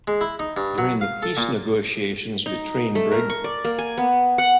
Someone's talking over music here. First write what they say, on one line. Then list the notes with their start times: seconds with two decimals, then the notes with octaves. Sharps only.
During the peace negotiations between Brig.
0.08 G#3
0.21 E4
0.39 D#4
0.57 G2
0.78 F#3
1.01 F5
1.23 A4
1.37 A#2
2.46 D#4
2.95 A3
3.11 A#4
3.30 C#6
3.44 D5
3.65 A#3
3.78 G#5
3.98 B3
4.38 F#5